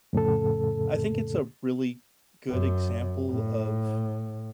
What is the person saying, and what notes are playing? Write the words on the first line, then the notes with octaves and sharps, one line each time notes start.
I think it's a really good example of
F2 A2 C#3 A4
F#2
A2